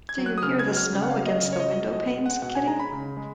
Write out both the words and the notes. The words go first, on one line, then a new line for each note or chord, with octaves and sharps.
Do you hear the snow against the window-panes, Kitty?
G#6
F#3
F#6
D#6
C#3 F6
G#6
F#3
F6
C#3
F#5
F5
F#3
D#5
C#3
C#5
D#5
F#3
B2 D#5
G#3
F#5
B2 F#5
G#5
G#3 A#5
B5
C#3
G#3